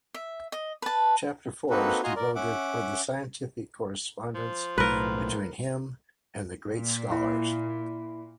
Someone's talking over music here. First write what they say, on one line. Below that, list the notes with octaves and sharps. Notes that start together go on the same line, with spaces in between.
Chapter four is devoted for the scientific correspondence between him and the great scholars.
E5
D#5
B4 A5
A#3 C4 D#4 F#4 A4 B4
F4 F#4 D#5 G#5 A#5 C6
A#4 D5
C#4 E5 F#5 D6
F3
B1 A2 A#4 B4
A#2
E4